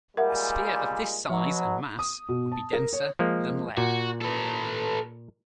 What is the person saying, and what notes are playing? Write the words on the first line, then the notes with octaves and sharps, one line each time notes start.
A sphere of this size and mass would be denser than lead.
A#2 G3 G#3 A#4 E5 F#5
B2 F3 F#3
D#6
B2
A5
A#4
C#5
F3 G#3 A#3
A#2 F#4
A4 B4